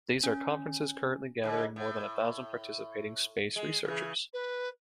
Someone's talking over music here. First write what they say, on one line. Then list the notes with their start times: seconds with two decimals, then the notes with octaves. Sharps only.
These are conferences currently gathering more than a thousand participating space researchers.
0.24 C#4
1.44 G#2 D3
1.76 A2
3.56 G#3
3.85 C#3 E3
4.33 B4